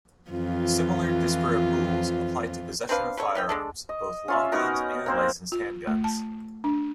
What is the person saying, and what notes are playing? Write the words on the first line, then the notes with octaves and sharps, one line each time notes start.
Similar disparate rules apply to possession of firearms, both long guns and licensed handguns.
F2 E3 F4
C4 D4 B4 F5
C#3 A4 C#5
E3 C#4 G5
G#3 D4 A4
D#5
C#4 F4 E5
B3 D#4 F#4 A#4
A#3 C4 C5
F4
A3
A5
D4